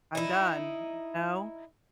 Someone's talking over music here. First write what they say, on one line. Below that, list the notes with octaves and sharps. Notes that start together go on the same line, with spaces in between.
"I'm done." You know?
D#4 E4